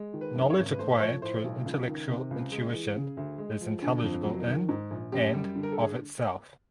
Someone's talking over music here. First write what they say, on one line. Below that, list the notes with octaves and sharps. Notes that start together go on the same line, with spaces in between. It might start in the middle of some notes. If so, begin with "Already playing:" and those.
Knowledge acquired through intellectual intuition is intelligible in and of itself.
Already playing: G#3
D#3
B4
F#2
C#5
G#1
B4
A3 C5
C5
F3 C#5
A2 C5
B1
C#2
D#3
C3
C#2
G#3 G#4
E3
C#3
D2
G#3
F3
D3
F2
F#3
D#3
G#2
A#1
F#2 G4
G3
D3
A#4
A4
G#4